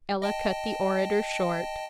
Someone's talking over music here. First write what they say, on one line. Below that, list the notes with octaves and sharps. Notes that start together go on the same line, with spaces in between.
Ella cut the orator short.
D#5 G5 A5